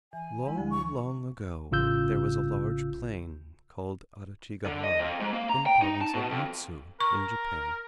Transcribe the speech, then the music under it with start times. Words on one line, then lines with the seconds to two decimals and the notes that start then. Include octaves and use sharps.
Long, long ago there was a large plain called Adachigahara, in the province of Mutsu in Japan.
0.13 E3 G#5
0.45 E3 G#3 E4
0.56 D2 D3 F3
0.70 C#6
1.71 A1 C#3 F4 E6 G6
4.66 D3
4.84 D#5
4.99 F2
5.20 G#2
5.33 A#3
5.49 A#5
5.66 G5
5.82 D#4
6.01 A5
6.14 B2
6.31 F2
7.01 A#4 C#6